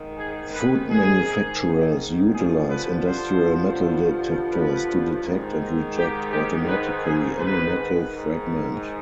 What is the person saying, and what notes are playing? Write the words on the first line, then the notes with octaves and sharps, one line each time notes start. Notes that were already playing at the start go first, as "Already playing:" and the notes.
Food manufacturers utilize industrial metal detectors to detect and reject automatically any metal fragment.
Already playing: G#2 D#3
G#4
B4
G#4
G2 D3 F3 G#4
B4
C5
B4
G#2 D#3
G4
G4
B4
G#4
B4
G#2 D#3